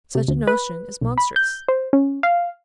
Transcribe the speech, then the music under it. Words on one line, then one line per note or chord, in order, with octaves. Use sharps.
Such a notion is monstrous.
C3
D2
B4
B1
B5
G6
C5
C#4
F5